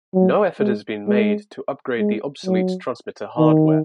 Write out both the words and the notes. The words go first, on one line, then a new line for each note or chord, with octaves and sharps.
No effort has been made to upgrade the obsolete transmitter hardware.
F#3
G#3
G#3
G#3
F#3
D#3